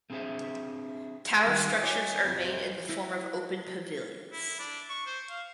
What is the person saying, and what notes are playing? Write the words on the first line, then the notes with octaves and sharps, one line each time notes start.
Tower structures are made in the form of open pavilions.
A3 C4 D4 G#4 C5 E5
D#3 G3 D#5 F5 G5
E4 F#4 C#5 D#5 G#5 D6
F2 A2 C3
E4
E4
D4
C#6
C5
F5